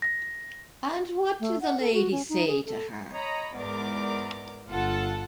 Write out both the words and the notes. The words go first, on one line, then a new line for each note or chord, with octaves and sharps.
And what did the lady say to her?
A#6
A3
F#5
A4
F#4
C#4
D#4
G#4
A4
C#5 D#5 A#5 B5
E2 G#2 A#4 D5 D6
G1 F4 A4 F#5 A5